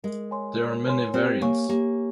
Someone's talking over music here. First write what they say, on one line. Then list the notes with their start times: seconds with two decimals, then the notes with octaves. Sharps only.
There are many variants.
0.04 G#3 A#4
0.31 C#5 G#5 C6
0.59 A#4
0.86 C#5 G#5 C6
1.14 C4 G4
1.42 A#3 C#5 G#5 C#6
1.69 A#3 G4